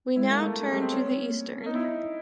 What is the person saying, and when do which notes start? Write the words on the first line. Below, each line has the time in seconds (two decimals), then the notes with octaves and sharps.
We now turn to the eastern.
0.16 G#3 E4
0.29 A#3
0.42 A3
0.54 A3
0.63 G#3
0.73 G3
0.81 C4
0.92 C#4
1.29 A#3
1.66 B3 D#4
1.75 E4
1.85 D#4